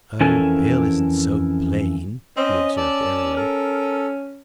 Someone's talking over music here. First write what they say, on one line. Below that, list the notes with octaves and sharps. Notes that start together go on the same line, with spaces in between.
"Oh, Bill isn't so plain," he observed airily.
F2 E3 C#4 A4 A#4 G#5
C4 C#4 D#5
D5 A5 E6
A4 A#4